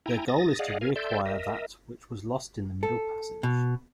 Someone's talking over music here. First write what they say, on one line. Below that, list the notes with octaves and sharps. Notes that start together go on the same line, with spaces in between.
Their goal is to reacquire that which was lost in the Middle Passage.
E4 G5 G#5 A#5
D#6 A6 A#6
G#4 D5 D#5 F5 F#5
A#4 F5 G#5
A4 D5 E5 C6 G6
A#4 D#5 E5
A4
B2